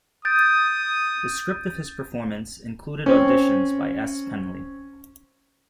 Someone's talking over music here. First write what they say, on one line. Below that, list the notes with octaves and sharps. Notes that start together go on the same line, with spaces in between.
The script of this performance included additions by S. Penley.
D#6 G6 A6 D7
C4 C#4